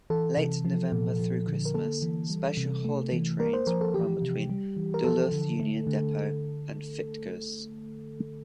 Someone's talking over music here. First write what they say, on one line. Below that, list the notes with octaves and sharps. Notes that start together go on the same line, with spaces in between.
Late November through Christmas, special holiday trains run between Duluth Union Depot and Fitgers.
E3 A4
C3
F3
A#2
F3
D3
A#4
A#3 A4
E3
G3
C3
A3
E3
A#3 A#4
C5
F3 A#4
A4
E3 G4
C3
G3
E3
A#4
F3 A4
D3
A3
D3